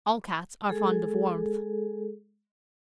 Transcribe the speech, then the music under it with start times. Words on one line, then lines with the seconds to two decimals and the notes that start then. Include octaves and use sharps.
All Cats are fond of warmth.
0.69 G#3 G#4 A4